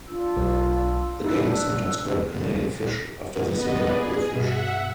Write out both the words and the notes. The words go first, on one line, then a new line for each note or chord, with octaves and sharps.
The game is sometimes called Canadian Fish, after the similar Go Fish.
D4 F4 E6
B1
D#4 E4 E6 F#6
D4
B3 B4 D#5
G#4 B4 D5
G2 B2 E5 F#5